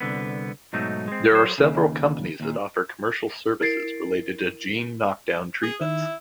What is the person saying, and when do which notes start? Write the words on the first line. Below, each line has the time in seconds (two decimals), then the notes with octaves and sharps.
There are several companies that offer commercial services related to gene knockdown treatments.
0.01 C2 D3 B3
0.73 G#2 B2 F#3 A3 D#4
1.08 G#3 C4
1.31 F#3 C5
1.58 D#2 C#3
2.40 D#2 A#2
3.61 E4 A#4 G#6 A6 C7 D7
5.63 G#4
5.81 D#3 E4